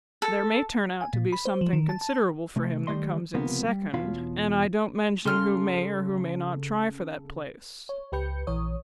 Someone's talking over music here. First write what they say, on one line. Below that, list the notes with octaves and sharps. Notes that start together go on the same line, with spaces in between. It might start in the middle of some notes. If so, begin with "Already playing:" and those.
There may turn out to be something considerable for him that comes in second, and I don't mention who may or who may not try for that place.
A4
G#5
A#2
B5
C5
F3
D#3
A5
A5
C3 A3
D#3 G3 A3 D#5 C6
C#2 C3 F3 A#3 B3
G3
E2 B2 F4 C#5 F5 B5
C#3 A4 C6 F6
C#5
C#2 G4 B4 G6 C#7
A#1 E3 C#5 D#6